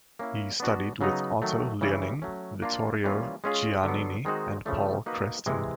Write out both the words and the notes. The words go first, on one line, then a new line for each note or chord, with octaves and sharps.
He studied with Otto Luening, Vittorio Giannini, and Paul Creston.
A#3 C#4 E4
B3 D4 F#4
C#3 F#3 B3 D#4
D#3 F#3 A3
C#3 E3 G3
F#3 A3 C#4
A#3 D4 F4
E3 G3 A#3 C#4 F4
G#3 C#4 F4 G#4
D3 F#3 B3
D#3 G#3 C4 D#4 F#4
C#3 F3 A3 D4
A#3 D#4 F#4 B4
C3 E3 G#3